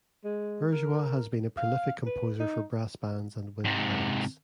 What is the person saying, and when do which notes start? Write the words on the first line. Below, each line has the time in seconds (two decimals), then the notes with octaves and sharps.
Bourgeois has been a prolific composer for brass bands and wind bands.
0.24 G#3
0.72 A#4
1.58 F5
2.06 B4
2.40 D#4
3.65 G#2 C3